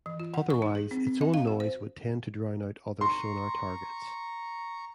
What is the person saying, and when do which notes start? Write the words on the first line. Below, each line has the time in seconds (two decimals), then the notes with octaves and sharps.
Otherwise, its own noise would tend to drown out other sonar targets.
0.06 E3
0.20 F4
0.34 F#5
0.50 C#6
0.62 D#4
0.75 G#4
0.91 C4
1.07 C4
1.21 D#5
1.34 F5
1.47 F#4
1.60 C5
3.01 A#5 C6 C#6